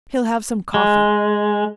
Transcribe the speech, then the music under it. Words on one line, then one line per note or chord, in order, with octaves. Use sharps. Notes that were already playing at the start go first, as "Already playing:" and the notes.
He'll have some coffee.
G#3